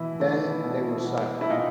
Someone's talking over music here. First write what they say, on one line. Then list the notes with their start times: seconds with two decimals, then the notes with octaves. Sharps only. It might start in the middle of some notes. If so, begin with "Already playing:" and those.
Then they were silent.
Already playing: B2 E3 E4
0.20 A3
0.64 B2
1.06 B2
1.41 E4
1.50 A#2 D#4